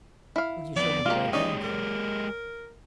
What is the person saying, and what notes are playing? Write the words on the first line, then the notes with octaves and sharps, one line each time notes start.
"Will you show me the way home, then?"
E4 F5
F2 B3 D5
G#3 A#3 F4 G4
C#4 D#4 D5
A#4